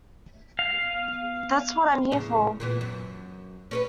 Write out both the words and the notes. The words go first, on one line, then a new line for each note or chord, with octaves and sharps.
That's what I'm here for.
F5
E2 A2 C#3
A#2 E3 B3
F#2
C#4 A#4 B4